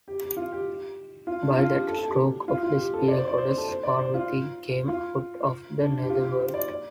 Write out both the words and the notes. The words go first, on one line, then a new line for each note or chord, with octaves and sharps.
By that stroke of the spear, Goddess Parvati came out of the Nether World.
G4
G4
F4
G4
F4
D4
F4
G4
A4
A4
G4
F4
F4
G4
A4
D5
C5
D5
C5
C5
A4
C5
D5
C5
F4
F4
D4
G4
F4
G4
C5
D5
D5